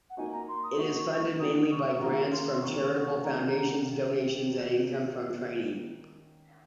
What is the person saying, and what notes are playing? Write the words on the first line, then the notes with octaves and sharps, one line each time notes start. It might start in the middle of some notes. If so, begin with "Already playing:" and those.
It is funded mainly by grants from charitable foundations, donations and income from training.
F#5
A#3 D#4 F#4 G#5
A#5
C6
D#6
A#3 D#4 F#4 C#6
D#3 A#3 C#4 F#4 D#6
C#6
D#3 A#3 C#4 F#4 A#5
C6
C6
D#3 A#3 C#4 C#6
C#6
D#3 A#3 C#4 A#5